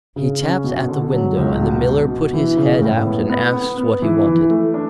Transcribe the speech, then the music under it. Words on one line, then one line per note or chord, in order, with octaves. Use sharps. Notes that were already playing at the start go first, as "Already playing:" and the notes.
He tapped at the window, and the Miller put his head out and asked what he wanted.
C#3
C#4
B2
D3
F#3
C#2
B2
B2
B2
E3
C#3
A2
B3
B3
B3
B3
E3
E3
A3
D4